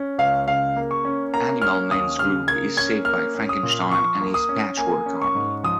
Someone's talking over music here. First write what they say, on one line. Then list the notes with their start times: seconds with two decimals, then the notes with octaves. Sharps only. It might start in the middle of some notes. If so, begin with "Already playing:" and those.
Animal Man's group is saved by Frankenstein and his Patchwork Army.
Already playing: C#4
0.18 C#2 F5
0.47 C#3 F5
0.76 A#3
0.91 C#6
1.05 C#4
1.34 A#3 A#5
1.62 C#4 F6
1.91 D#2 D#6
2.19 C#3 F6
2.48 A#3 G#6
2.77 C#4 G#6
3.05 A#3 F6
3.35 C#4
3.49 D#6
3.63 A#2
3.91 F3 C#6
4.21 A#3
4.34 D#6
4.49 C#4
4.77 A#3 G#5
5.06 C#4
5.22 C#6
5.35 G#2
5.64 F3 D#6